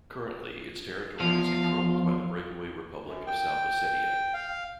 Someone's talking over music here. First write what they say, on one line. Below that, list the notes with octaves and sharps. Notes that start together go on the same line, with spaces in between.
Currently, its territory is controlled by the breakaway Republic of South Ossetia.
E2 F3 F5
F#2
G5
F5